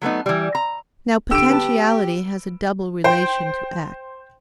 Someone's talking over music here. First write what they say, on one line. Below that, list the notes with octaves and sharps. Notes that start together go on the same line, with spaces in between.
Now, potentiality has a double relation to act.
F#3 A3 B3 D#4
E3 G3
A#5
D3 G4 E6 D7
B3 A5
C5 G5